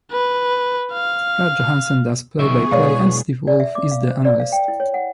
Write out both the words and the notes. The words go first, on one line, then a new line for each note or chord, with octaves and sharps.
Brad Johansen does play-by-play and Steve Wolf is the analyst.
B4
F5
B1 D#3 B3 G#4 E5 C#6
B2 G#3 C#5 D5 F5
D5
E5
D6
F5
C5
D5
F5
G5
E4
C#5
F#5